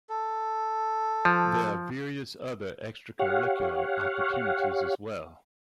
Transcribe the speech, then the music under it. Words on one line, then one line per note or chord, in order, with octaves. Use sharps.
There are various other extracurricular opportunities as well.
A4
F3
G4 C#5 F5 F#5